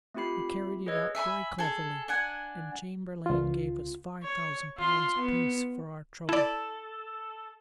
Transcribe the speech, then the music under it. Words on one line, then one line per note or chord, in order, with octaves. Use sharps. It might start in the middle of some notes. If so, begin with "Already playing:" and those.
We carried it out very cleverly, and Chamberlayne gave us five thousand pounds apiece for our trouble.
A3 C4 F4 G4 B5 C7
G#4 B4 C#5 D#5 E6 G#6
E5 G#5 A5 B5
G#4 A4
D4 F#5 G#5
C#2 F4
C#5
F4 C6
B3
E4 A4 D5